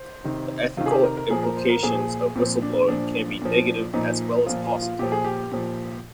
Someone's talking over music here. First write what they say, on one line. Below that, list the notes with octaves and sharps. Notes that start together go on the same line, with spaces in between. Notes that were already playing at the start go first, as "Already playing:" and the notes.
The ethical implications of whistleblowing can be negative as well as positive.
Already playing: C5
C3 D#3
C3 D#3 F4
G#4
G4
A#4
A#4
A#2 F3 G#4
A#4
C5
A#4
A#2 F3 G#4
A#2 F3 C4
D4
A#2 F3 D4
A#2 F3
A#2 F3 D#4
A#2 F3 F4
F4
F4
A#2 F3 G4
G#4
G4
A#2 F3